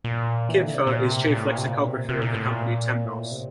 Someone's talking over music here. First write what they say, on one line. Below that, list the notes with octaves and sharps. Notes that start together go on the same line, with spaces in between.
Kipfer is Chief Lexicographer of the company Temnos.
A#2
E3
D3
C3
A#2
C3
A#2
A2
A#2
C3
A#2
C3
C3
A#2
A2
A#2
A2
A#2
C3